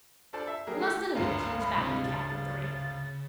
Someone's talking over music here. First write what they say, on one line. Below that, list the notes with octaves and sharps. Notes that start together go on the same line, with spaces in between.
In less than a minute he was back in the cab with the ring.
D4 F4 A4 C5 D5 A5
E5
F#3 A#3 G4 G#4
A3 E4 F4 A4
G#1 D2 F4 G#5 A#5
G#3 B5
C3 E4 D#5
C#3 A6